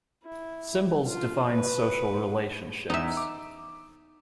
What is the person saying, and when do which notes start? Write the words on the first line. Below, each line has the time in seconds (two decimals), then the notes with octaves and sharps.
Symbols define social relationships.
0.24 E4
1.08 F4
1.49 B4
2.90 E2 D#4 E5
3.17 D6